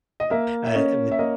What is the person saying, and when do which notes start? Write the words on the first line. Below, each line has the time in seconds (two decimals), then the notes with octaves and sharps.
uh, with
0.20 D#5
0.30 A#3 E5
0.64 E5
0.74 C#4 D#5
1.11 E5
1.19 A#3 D#5